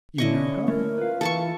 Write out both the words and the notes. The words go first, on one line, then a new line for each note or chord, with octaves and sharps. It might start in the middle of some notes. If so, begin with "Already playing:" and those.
"You know her?"
D3 C#4 E4 D#5 C#6
A3 A#4 C#5
F4 B4 F5
E3 A4 A5 C#6